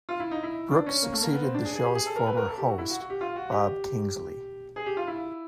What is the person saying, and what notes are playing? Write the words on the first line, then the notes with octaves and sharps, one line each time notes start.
Brooks succeeded the show's former host, Bob Kingsley.
F4
E4
D#4
E4
D4
C#4
A#3
A3
A#3
B3
C4
D4
G#4
G#4
G4
G#4
A4
A#4
B4
A#4
A4
G4
F#4
E4
F#4
F#4
G4
F4
F#4
G4
G#4
G4
F4
E4